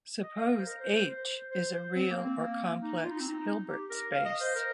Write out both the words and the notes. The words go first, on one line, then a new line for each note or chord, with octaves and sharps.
Suppose "H" is a real or complex Hilbert space.
D#5
F5
A#4
C5
A#4
C5
C5
C5
C5
C4
A#3
C4
A#3
D#4
F4
D#4
C4
D#4
G4
A#4
F5
D#5
C5
A#4